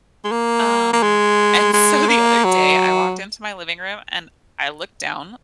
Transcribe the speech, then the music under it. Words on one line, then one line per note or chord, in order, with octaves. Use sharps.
Um, and so the other day, I walked into my living room and I looked down,
G#3
A#3
A#3
G#3
G#3
A#3
F#3